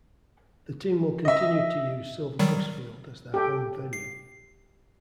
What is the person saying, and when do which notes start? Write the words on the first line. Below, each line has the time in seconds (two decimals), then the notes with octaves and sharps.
The team will continue to use Silver Cross Field as their home venue.
1.25 D#5 E5
2.39 D#3 F#3 G3
3.34 G4 A4 G5
3.93 C7